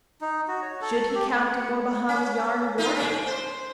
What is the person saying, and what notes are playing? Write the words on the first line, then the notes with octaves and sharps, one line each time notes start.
Should he count De Morbihan's yarn a warning?
D#4
F#4
C#5
A4
G4
A3
F#5
C#4
D#4 F4 A4
C#4 D4
C5